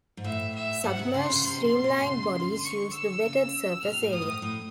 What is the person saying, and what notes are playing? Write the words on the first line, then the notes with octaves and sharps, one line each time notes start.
Submerged streamlined bodies use the wetted surface area.
G#2
A2 E5
E5
G#2 F#5
C3
C#3 C6
C#3
C3 C6
B2
B2
C#3
C#3
D#3
D3
C#6
E6
C#3
B2 F6
A2
G#2 D#6
A2
A2